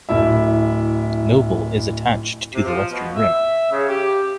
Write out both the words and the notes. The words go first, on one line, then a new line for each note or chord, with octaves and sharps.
Nobile is attached to the western rim.
D1 E4 E5
C3
F3
B2
E5
C#3
G4